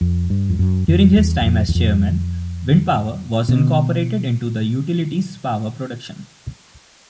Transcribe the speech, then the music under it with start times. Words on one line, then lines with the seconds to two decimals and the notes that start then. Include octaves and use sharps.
During his time as chairman, wind power was incorporated into the utility's power production.
0.01 F2
0.30 G2
0.50 F2
0.59 F#2
0.88 F2
1.17 E2
1.41 F#2
1.46 F2
1.69 E2
1.75 F2
3.49 B2